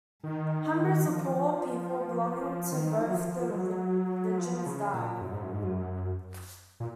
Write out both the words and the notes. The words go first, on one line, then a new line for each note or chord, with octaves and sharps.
Hundreds of poor people belonging to both the religions die.
D#3
F3
D#3
F3
F#3
F3
F3
G#3
F#3
F3
C#3
A#2
F#2
G#2
F#2
G#2
F#2
A#2